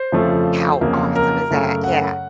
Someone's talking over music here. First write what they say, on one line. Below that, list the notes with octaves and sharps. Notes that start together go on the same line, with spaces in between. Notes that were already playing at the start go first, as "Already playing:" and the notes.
How awesome is that, yeah.
Already playing: C5
F2 C#3 F3 A3
F2 C#3 F#3 A#3
A#4
F#2 C#3 A3
F#5